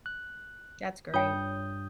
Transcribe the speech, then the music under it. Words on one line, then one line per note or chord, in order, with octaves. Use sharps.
That's great.
F#6
G2 F4 C#5 G5 D#6 G6